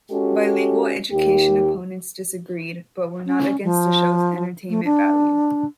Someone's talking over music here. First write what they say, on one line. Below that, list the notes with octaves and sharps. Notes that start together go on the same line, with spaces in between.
Bilingual education opponents disagreed, but were not against the show's entertainment value.
G#3 C#4 F#4 G4 A4
D#2 G4
C#4
F3
A3
D4